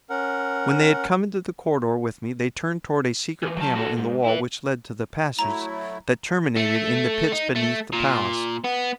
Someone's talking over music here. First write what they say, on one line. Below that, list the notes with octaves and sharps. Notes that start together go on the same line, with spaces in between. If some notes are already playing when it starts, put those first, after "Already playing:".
When they had come into the corridor with me, they turned toward a secret panel in the wall which led to the passage that terminated in the pits beneath the palace.
C#4 A#4 F#5
E3 F3
F#3 A5
F#4 A4
G#2
E4 B4
F#3 A3 E4 A#5
A3
D#4
A3
A#2
B3